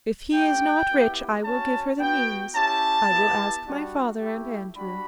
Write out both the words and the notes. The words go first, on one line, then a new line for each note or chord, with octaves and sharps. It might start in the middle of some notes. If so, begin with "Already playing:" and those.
If he is not rich I will give her the means; I will ask my father and Andrew.
A3 E4 G4 G5
B3 E4 G4
C#4 F#4 A5
B3 F#4 G5
C#4 E4 G4 A5
B3 E4 G4
G3 D4 F#4
A3 E4 G4
G3 D4 F#4 B5